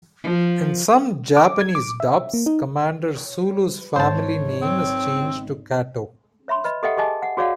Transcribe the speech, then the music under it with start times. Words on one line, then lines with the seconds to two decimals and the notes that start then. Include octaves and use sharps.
In some Japanese dubs, Commander Sulu's family name is changed to Kato.
0.23 F3
1.37 D6
1.61 G#6
1.75 D6
2.00 E5
2.34 A#3
2.46 D#4
3.96 G#1 C5 C#5 A5
4.62 C4
6.48 C#5 E5 B5 C6
6.64 B4 D#5 B5
6.83 G4 A4 D#5 E5 F#5 G5
6.97 G4 G#4 D#5 G#5 A5
7.23 F#5
7.37 F#4 G#4 C#5 D5 F5 F#5